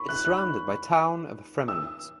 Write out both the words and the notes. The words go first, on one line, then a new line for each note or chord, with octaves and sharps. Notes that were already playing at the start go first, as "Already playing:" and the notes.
It is surrounded by Town of Fremont.
Already playing: B5 C#6
F#6
F#6
E6